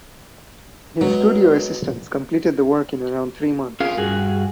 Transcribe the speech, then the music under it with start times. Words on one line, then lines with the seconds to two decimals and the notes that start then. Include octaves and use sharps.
His studio assistants completed the work in around three months.
1.01 F#3 G#3 B3 B4 C#5
3.80 C#4 F4 G#4 A#4 F5
3.97 G2 F#4 G#4